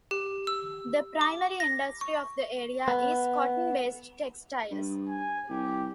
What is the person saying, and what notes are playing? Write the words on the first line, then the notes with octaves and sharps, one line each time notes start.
The primary industry of the area is cotton-based textiles.
G4
E6
D6
A#6
C#6
B3
G2
G#5
C2 G4